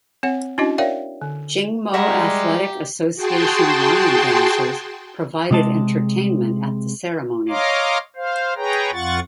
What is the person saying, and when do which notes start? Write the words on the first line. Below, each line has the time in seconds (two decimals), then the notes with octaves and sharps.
Jing Mo Athletic Association lion dancers provided entertainment at the ceremony.
0.23 C4 C#5 F#5
0.58 C#4 D4 E4 F#4 D#5
0.78 A#4 C#5 D5 E5 F5 G5
1.22 D3
1.94 G3 G#3 F#4 G4 E5 A#5
3.15 F#4 G#4 G5 A5 C6
5.51 C3 G#3 A5
7.49 C#5 D#5 F5 A#5 C6 D6
8.16 C5 F5
8.56 G#4 B4 C#5 G5 A#5
8.93 F2 F4 F#5 C#6 A6